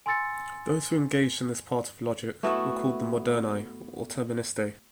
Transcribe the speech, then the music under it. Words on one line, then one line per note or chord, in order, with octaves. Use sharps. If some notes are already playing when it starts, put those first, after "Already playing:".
Those who engaged in this part of logic were called the "Moderni", or "Terministae".
G#5 C6 E6 A6 C#7
A3 B3 E4 F#4